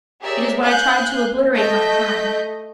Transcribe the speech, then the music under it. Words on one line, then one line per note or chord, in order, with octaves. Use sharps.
It is what I tried to obliterate my crime.
G4 G#4 A#4 C#5 D5 E5
F5 G#5 F#6 G6
A3 D#5 G6 B6